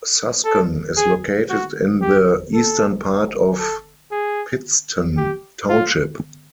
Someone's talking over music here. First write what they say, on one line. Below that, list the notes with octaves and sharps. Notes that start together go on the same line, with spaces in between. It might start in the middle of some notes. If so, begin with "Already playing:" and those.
Suscon is located in the eastern part of Pittston Township.
A4
G#4
F#4
G4
A4
A4
G#4
G4
F4